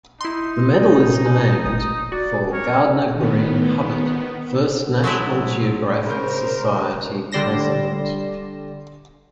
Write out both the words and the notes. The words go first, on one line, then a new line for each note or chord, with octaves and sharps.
The medal is named for Gardiner Greene Hubbard, first National Geographic Society president.
D#4 E4 C6
F#4 D5
G#5
G#1 A#2 D#6
F#4 D5
A#4 C#5
D#3 B3
F#3 G#3 A3 E4
C#3 A#4 C5 G6
D3 G3 D5 C6 A#6 E7